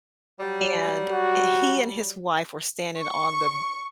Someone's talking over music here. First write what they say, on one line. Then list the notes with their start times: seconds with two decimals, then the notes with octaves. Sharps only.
and he and his wife were standing on the
0.39 F#3 G3
1.10 F#4
2.98 C#6